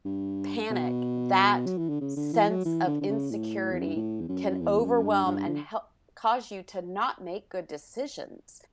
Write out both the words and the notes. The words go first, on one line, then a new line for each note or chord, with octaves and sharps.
panic, that sense of insecurity can overwhelm and hel cause you to not make good decisions
G2
B2
F#3
E3
D3
C#3
D3
E3
F#3
E3
D3
D3
C#3
A2
E2
F#2
G2
A2
E2
F#2
F#2
E2
F#2
G2
G2
D3